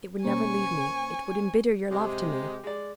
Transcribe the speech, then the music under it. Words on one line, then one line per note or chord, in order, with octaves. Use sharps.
It would never leave me; it would embitter your love to me.
B2 A#3 C#4 C5 G#5 C#6
C3 G#3 G4
G#3 D5